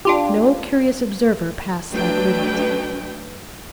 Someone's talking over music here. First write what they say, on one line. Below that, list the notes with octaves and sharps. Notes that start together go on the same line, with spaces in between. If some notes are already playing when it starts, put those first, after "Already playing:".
No curious observer passed that limit.
D4 F4 G4
F#3 A3 D4 B4 G5